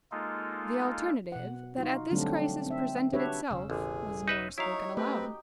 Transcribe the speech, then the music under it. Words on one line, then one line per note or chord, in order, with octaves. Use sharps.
The alternative, that at this crisis presented itself, was nor, spoken aloud.
G#3 A#3 D#4 F4 A4
B2 F#5
D#4 F4 F#4
D3 F#3 G3 A3 C4 D4
C4 E5
D4 F#4 G4 B4 C#5 E5
E1 C#3 C#4 E6
A1 D3 G#4
D#4 B4 E5
F#3 D#4 E4 C#5 F5
A3 C4 G4 B4